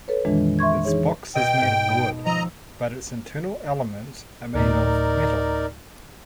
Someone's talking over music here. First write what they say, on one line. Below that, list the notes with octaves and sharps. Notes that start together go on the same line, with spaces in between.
Its box is made of wood, but its internal elements are made of metal.
A4 B4 C#5
F2 A#2 D#3 E3 G#3 D4
E5 C6 C#6 G#6
E3 D#4 G#4 C#5
B2 D#5 G5 G#6
G#2
A5 B5 D#6
F3 D#5 A#5 E6
D2 A2 D#4 A#4 D5